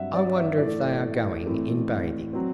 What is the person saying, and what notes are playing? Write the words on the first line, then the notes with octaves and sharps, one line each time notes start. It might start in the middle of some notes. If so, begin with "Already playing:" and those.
"I wonder if they are going in bathing."
Already playing: G2 F#3 C4 E5 F#5
D5
E5
A2 E3 A3 D5
A2 E3 A3 C4
F#3 C4